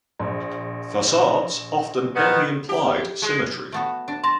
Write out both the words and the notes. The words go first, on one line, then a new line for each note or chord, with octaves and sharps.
Facades often only implied symmetry.
A#1
D#3 B3
G4
G#3
A3 B3 F#4
D4
A5 C6 A#6